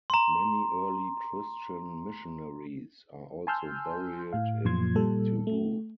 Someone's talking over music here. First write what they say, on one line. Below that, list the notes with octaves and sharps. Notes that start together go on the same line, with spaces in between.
Many early Christian missionaries are also buried in Tubou.
A#5 C6
G#5 A5 C6 E6 F6 G6
A2 F5
F#2 A#2 F3 C6 G#6
A#2 G3 A4
A3